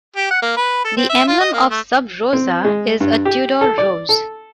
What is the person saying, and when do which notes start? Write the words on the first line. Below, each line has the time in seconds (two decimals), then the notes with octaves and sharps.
The emblem of Sub Rosa is a Tudor Rose.
0.16 G4
0.31 F#5
0.42 A#3
0.57 B4
0.85 A4
0.97 C4
1.09 E5
1.27 F4
1.40 D#5
1.52 A#3
1.70 A3
2.33 C4
2.65 G#3
3.00 G2
3.25 G4
3.61 A4
3.78 D5
4.09 A4